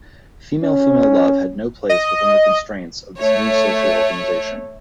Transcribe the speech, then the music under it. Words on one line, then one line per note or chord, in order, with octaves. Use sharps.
Female-female love had no place within the constraints of this new social organization.
C#4
D#5
A3 C#5